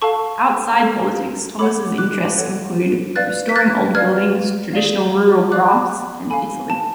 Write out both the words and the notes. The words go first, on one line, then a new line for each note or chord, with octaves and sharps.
Outside politics Thomas' interests include restoring old buildings, traditional rural crafts and Italy.
A4 F5 A5 C#6
A4 F5
A4 C#5 F#5 B5 D6
D6 F#6
A4 C#5 F#5
B4 D5 F5 F#6 A6
B6
F#6 A6
B4 D5 F5 F6 G#6
G#4 D5 F5
G#4 D5 F5 D6 F#6
A4 F5 G#5 B5
A5